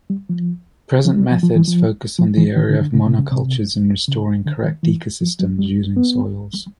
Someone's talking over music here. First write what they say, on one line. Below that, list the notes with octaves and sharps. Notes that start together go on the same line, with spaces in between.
Present methods focus on the area of monocultures and restoring correct ecosystems using soils.
G3
F3
F3
G3
F3
F3
E3
F3
F3
E3
D#3
D3
D3
C#3
C3
C#3
C3
C#3
D3
D#3
E3
F3
F#3
G3
B3